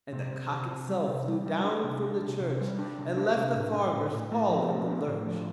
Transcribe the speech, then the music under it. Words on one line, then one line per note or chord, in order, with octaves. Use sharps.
And the cock itself flew down from the church, And left the farmers all in the lurch.
C3
C3
C3
C3
G3
C3
G3
G3
D4
C3
D4
C3
C3
G3
D4
C3
D4
C3
A2
D4
A2
A2
A3
F3
A3
D4
A2
F3